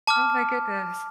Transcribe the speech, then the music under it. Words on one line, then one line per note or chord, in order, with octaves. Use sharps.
Oh my goodness.
A5 D6 F6